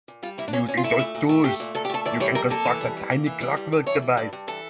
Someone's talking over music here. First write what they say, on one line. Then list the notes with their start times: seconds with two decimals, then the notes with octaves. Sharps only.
Using those tools, you can construct a Tiny clockwork device.
0.08 A#2
0.23 G3 F4
0.38 A#3 E4
0.48 D4
0.53 A#2 C#4
0.68 A#2 C#4
0.77 F4
0.84 A3 E4
0.99 A#2
1.15 A#2
1.29 A3
1.44 A3 G4
1.60 A#2
1.75 A#2 A4
1.85 G4
1.90 A3 A4
2.05 E3 D5
2.20 G3 C#5
2.35 F2 A#4
2.50 A#3 A4
2.65 E3
2.81 G3
2.97 F2
3.11 A#3
3.26 E3
3.41 G3
3.57 G2
3.72 G2
3.86 E3 C#5
4.02 G3
4.17 G2 D5
4.33 G2
4.47 E3 A4